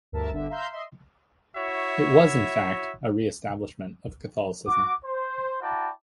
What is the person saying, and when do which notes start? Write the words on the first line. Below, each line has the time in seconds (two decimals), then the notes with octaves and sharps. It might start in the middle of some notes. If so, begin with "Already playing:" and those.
It was in fact a re-establishment of Catholicism.
0.12 D2 G2 A#4 E5 A5
0.31 G1 D3 E5
0.50 E5 F5 A#5 C6 E6 G6
0.72 D#5 E5 C6
1.57 E4 F#4 C#5 E5
4.67 F#4 D6
5.05 C5
5.61 E4 F#4 D5 G5 A5 A#5